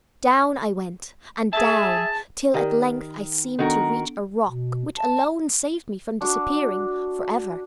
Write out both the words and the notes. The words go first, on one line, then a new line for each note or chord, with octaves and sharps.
Down I went, and down, till at length I seemed to reach a rock which alone saved me from disappearing for ever.
G#4 E5 A5
D#3 G4 A#4 D5
D#3 B3 D4 F#4 A4 A#4
B2
A5
D4 F#4